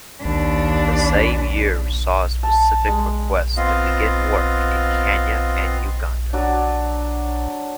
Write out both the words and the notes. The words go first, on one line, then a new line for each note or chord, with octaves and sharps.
The same year saw a specific request to begin work in Kenya and Uganda.
D#2 D4
A5
G#3
B3 C4 F4 D#5 F5
F#3 D4